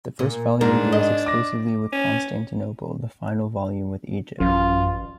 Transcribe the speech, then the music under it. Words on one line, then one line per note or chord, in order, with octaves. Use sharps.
The first volume deals exclusively with Constantinople, the final volume with Egypt.
A#2
G#2 D4 A#4
D#5
D6 A#6
C#4
A1 F#2 F4